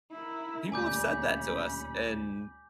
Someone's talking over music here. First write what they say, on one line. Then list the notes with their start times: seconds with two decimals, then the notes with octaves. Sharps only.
People have said that to us, and
0.12 E4 A#4
0.72 D2 A#2 G3 C#4 G#5 B5 D6 G6